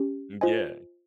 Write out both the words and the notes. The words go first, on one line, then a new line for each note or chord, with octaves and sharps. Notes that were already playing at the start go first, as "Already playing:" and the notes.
Mm yeah.
Already playing: C#4 G4
F4 C5 D#5 G#5